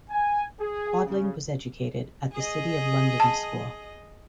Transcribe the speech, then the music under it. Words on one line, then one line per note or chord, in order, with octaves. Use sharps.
Quadling was educated at the City of London School.
G#5
G#4
C#3
G#4 D#5
A5